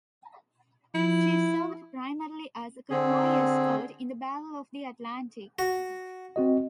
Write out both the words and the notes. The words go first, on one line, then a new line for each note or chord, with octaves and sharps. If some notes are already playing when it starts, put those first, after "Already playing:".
She served primarily as a convoy escort in the Battle of the Atlantic.
F3 E4
D3 C4 G#4
F#4
C4 F#4 D#5